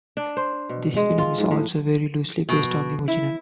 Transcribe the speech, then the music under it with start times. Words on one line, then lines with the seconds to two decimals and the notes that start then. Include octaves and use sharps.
This film is also very loosely based on the original.
0.17 D4
0.37 C5
0.69 B2
0.96 G#3
1.18 F4
1.38 G#2
1.51 A2
2.49 B2
3.08 E4